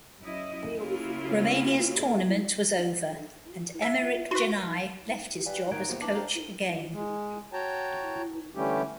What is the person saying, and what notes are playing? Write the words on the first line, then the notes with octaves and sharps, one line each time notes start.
Romania's tournament was over and Emerich Jenei left his job as coach again.
F#2 E4 D#5
C#3 A#3 E4 F4
E5
F#4 B4 C6
G3 B4 D5 F5 G#5
A2 D#3 F#3 A#3 D#4 G#6 D7
E2 C3 A#3 B3
E3 D4 A5 D6 F#7
F#2 G4 C5 F5 A#5
G#3
F#4 C#5 G5 A5 A#5
D3 E3 G3 A3 C#4 G4